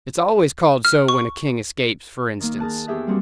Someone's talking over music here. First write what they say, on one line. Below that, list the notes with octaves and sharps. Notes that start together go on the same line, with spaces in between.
It's always called so when a king escapes, f'rinstance.
F6
C#6
D#3 A#3
G#4 A#4 A5 F#6
E2 G4 G#4 E5 F#6
F#3 G3 A#3 C4 D4 F#4